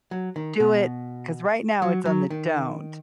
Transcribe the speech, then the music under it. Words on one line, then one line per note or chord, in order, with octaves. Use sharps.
"Do it!" 'Cause right now, it's on the don't.
F#3
D#3
B2
F#3
F#3
D#3